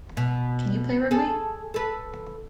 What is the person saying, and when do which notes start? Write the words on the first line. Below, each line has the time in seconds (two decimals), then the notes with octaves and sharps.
Can you play Rugby?
0.17 B2
1.11 G#4 A4
1.74 A4 B4